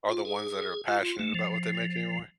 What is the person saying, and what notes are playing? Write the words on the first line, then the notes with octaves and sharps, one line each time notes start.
are the ones that are passionate about what they make anymore,
F4
G#4
F4
F4
A3
F3